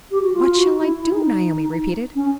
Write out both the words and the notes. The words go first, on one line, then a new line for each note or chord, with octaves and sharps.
"What shall I do?" Naomi repeated.
G4
F#4
F4
F#4
E4
E4
D#4
C#4